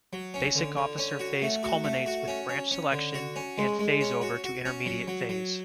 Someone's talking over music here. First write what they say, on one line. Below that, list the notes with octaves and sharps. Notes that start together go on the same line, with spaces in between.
Basic Officer phase culminates with branch selection and phase over to Intermediate phase.
F#3
C#4
D3
D3
C#4
F#4
A3
F#4
A3
F#4
C#4
C#4
C#4
D3
F#4
C#4
G#3
G#3
C#4
F#4
F#4
C#4
F#3
F#3
F#3